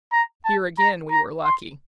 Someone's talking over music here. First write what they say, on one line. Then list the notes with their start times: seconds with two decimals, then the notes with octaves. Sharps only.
Here, again, we were lucky.
0.12 A#5
0.45 A5
0.79 A#5
1.11 A#5
1.44 C6